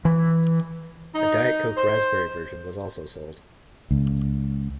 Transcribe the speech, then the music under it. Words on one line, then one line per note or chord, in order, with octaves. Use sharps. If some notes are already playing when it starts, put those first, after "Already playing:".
A Diet Coke Raspberry version was also sold.
E3
D#4
C5
C#2